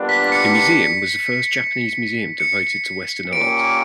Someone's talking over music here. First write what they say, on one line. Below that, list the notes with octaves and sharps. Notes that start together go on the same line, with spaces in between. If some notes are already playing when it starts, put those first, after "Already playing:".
The museum was the first Japanese museum devoted to Western art.
Already playing: A#2 G3 B3 D4
B6
C#7
C#7
C#7
A#2 A#3 C#4 G4 A#4 D7